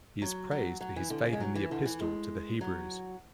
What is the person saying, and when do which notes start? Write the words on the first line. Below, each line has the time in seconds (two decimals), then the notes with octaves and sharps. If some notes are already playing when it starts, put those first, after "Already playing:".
He is praised for his faith in the Epistle to the Hebrews.
0.22 F#3
0.51 F#3
0.81 F#3
0.96 E3
1.10 D3
1.26 C#3
1.33 G#3
1.40 F#3
1.55 E3
1.71 D3
1.86 E3
2.01 G#3
2.61 F#3